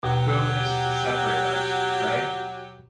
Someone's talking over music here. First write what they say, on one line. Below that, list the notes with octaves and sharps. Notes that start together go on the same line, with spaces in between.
Who is to separate us, pray?
D#2 B2 F#3 G4